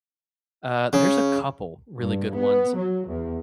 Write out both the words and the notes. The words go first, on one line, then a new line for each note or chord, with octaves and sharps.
uh, there's a couple really good ones.
C#3
G2
B3
F#3
E2